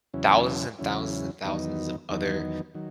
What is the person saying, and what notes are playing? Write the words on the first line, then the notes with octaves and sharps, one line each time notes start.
thousands and thousands and thousands of other,
E2 C#3 F#3 C#4 E4
E2 C#3 F#3 C#4 E4
E2 D#3 F#3 B3 D#4
E2 D#3 F#3 B3 D#4
D#3 F#3